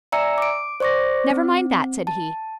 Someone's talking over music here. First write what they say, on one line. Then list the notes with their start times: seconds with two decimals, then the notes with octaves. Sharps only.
"Never mind that," said he.
0.12 D5 E5 G#5 A#5 E6 C#7
0.38 D6 D7
0.80 C5 D5 C#6 D6 A#6
1.30 C4
2.07 A5